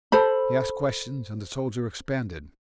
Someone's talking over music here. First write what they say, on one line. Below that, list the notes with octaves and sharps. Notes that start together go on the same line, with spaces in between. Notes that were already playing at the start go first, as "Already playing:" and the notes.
He asked questions--and the soldier expanded.
A4 C5 B5